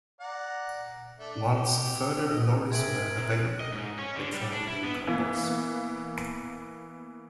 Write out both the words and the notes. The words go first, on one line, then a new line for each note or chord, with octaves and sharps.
Once further lorries were available, they travelled in convoys.
D5 F#5 A#5
A3 D4
G4
D#5
C4 G#4 A#4 E5 G#6 D7 F#7
D#5
G#2
C#4
D3
G3
D4
E4
B3
E3 A#3 B3